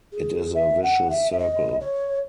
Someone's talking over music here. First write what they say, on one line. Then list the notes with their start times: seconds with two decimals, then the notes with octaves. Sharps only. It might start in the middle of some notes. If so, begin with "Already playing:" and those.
It is a vicious circle.
0.13 G#4
0.54 E5
0.83 F#5
1.10 E5
1.32 E5
1.39 D#5
1.81 C#5